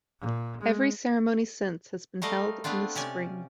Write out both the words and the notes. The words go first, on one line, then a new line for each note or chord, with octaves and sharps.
Every ceremony since has been held in the spring.
A#2
G#3
G3 A3 A#4 D#5 F5
A3 B3 C4 D4 F4
C3 C#4 D5 G#5